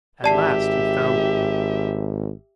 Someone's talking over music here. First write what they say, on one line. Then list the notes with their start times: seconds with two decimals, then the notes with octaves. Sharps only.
At last he found one.
0.24 G#1 G4 D5 E5 A5 C7